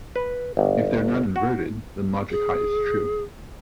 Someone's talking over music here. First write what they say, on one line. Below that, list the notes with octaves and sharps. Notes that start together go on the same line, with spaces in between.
If they are not inverted, then logic high is true.
B4
G1
F#4
G#4